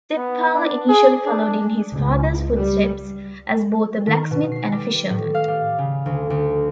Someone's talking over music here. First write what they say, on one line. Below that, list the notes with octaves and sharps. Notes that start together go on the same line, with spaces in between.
Seppala initially followed in his father's footsteps as both a blacksmith and a fisherman.
B3
D4
G#4
D4
C#2
G3
D#3
B2
C7
G3
A2
F5
G3
C#3
D2
D2